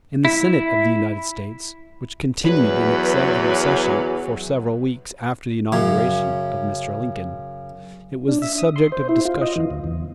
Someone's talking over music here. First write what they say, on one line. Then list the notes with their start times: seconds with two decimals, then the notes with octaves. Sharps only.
In the Senate of the United States, which continued in executive session for several weeks after the inauguration of Mr. Lincoln, it was the subject of discussion.
0.25 E4
2.45 E2 F#3 B4
5.72 F#2 C#3
8.28 D4
8.42 E5
8.58 D#6
8.76 C6
8.92 C5
9.09 E4
9.25 F4
9.41 D#5
9.56 E3
9.71 D2
9.84 E2